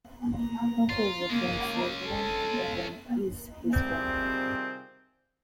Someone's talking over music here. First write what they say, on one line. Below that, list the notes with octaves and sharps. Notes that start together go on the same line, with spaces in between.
Humphrey is a friend to everyone and everyone is his friend.
A#5
F4
G#3 A#3 C#4
A4
C3 D#3 G3 C4 F4 G#4